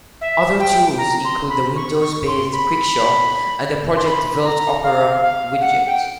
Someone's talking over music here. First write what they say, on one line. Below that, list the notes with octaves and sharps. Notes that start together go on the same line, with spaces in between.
Other tools include the Windows-based QuickShow, and the Project Velt Opera widget.
E5
G5
A#5
C6
B5
C#6
C#6
C6
B5
C6
B5
A#5
F5
F5
F#5
G5